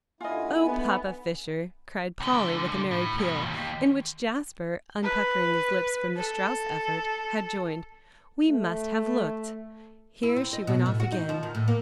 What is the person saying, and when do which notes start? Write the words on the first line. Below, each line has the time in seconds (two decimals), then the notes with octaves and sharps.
"Oh, Papa Fisher!" cried Polly with a merry peal in which Jasper, unpuckering his lips from the Strauss effort, had joined, "we must have looked"--Here she went off again.
0.21 D#2 D3 E4 F4 D#5 G#5
0.67 B3
2.20 C#2 D3
2.91 A2
3.18 G2 B2
3.42 D#2 G#2
5.04 B4
6.17 A4
8.49 A3
10.23 E4
10.36 C4
10.53 D#5
10.67 B2
10.86 A2
11.00 F#4
11.12 D#4
11.29 F3
11.43 D#3
11.55 A2
11.68 A#3